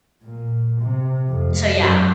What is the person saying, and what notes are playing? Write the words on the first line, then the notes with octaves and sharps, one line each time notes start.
so yeah.
A#2
C3
F2
F#2